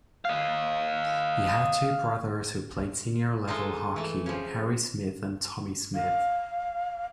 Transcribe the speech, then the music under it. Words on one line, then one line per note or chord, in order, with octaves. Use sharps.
He had two brothers who played senior-level hockey Harry Smith and Tommy Smith.
D#5 F5
G#3 A3 D#4 F4
E3 A3
C#3 F3
F5